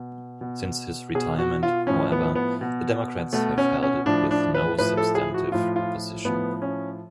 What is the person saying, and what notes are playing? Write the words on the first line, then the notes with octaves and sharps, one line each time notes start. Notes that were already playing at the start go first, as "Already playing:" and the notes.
Since his retirement, however, the Democrats have held it with no substantive opposition.
Already playing: B2
B2
B2 G#4
F#4
F4
A2 F3 C#4
B3
B3
B2
B2 A3
C#4
C#4
A2 F3 D4
D4
B4
A2 F3 B4
A4
G#4
F#4
A2 F3 F4
F4
A2 F3 B3
C#4